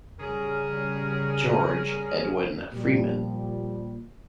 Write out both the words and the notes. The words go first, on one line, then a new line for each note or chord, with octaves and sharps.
George Edwin Freeman.
C#3 G3 C#4 G#4 A#4
A#2 F3 G3